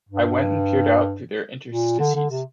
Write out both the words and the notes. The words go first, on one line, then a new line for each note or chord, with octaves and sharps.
I went and peered out through their interstices.
G2
A#2
D3
D3
C3